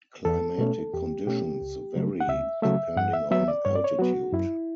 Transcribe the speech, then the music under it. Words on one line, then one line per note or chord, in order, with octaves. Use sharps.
Climatic conditions vary depending on altitude.
E2 A4
B2 A3 C#4
E2 G4
B2 A3 C#4 G4
C#2
C#3 F#3 A3
F#5
C#2 E5
C#3 F#3 A3 E5
G2 F#5
E5
F#3 B3 E5
D5
G2 C#5
D5
C#5
F#3 B3 F#4
F#2 E4